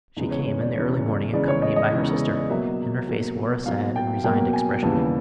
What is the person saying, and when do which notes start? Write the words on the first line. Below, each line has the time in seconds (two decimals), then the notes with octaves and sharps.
She came in the early morning, accompanied by her sister, and her face wore a sad and resigned expression.
0.17 E2 C#3 E3 G#3
0.31 C#5
0.46 C#5
0.60 D5
0.75 E2 C#3 E3 G#3 C#5
1.33 E2 C#3 E3 G#3 D5
1.48 C#5
1.62 D#5
1.76 D#5
1.92 E2 C#3 E3 G#3
2.50 B2 F#3 A#3 E5
3.08 B2 F#3 A#3
3.66 B2 F#3 A#3 F5
3.96 G5
4.24 B2 F#3 A#3 G5
4.53 G#5
4.82 D#2 C#3 E3 G3 B3 A5